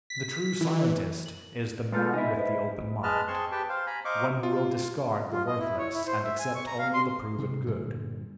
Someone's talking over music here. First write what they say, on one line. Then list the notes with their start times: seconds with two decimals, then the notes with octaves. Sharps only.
The true scientist is the man with the open mind, one who will discard the worthless and accept only the proven good.
0.10 B6
0.61 E3
1.26 F#7
1.93 G#3 F4 A4 B4 F6 G6
2.14 D#4 E4 D#5 G#5
2.37 E4 B4 C5 D#5
3.03 G#3 B4 D#5 A5 F6
3.28 C4 G#4 A5 C6 C#6
3.52 G4 B4 G5 A5
3.69 C5 F5
3.87 G#5 A#5 B5
4.05 C5 D#5 F5 A#5 C#6 D6
4.43 F4
5.32 F4
5.46 D#5
5.59 E4
5.78 C#5
5.94 E4
6.07 C5
6.24 E5
6.39 G#5
6.55 C#6
6.67 A#5
6.79 F5
6.93 C6
7.39 C3
7.67 G2 A#2 D3 G3